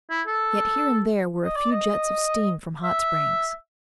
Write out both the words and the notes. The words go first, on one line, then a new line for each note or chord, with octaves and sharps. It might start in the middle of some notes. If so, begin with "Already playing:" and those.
Yet here and there were a few jets of steam from hot springs.
E4
A4
D#5
D5
D#5
E5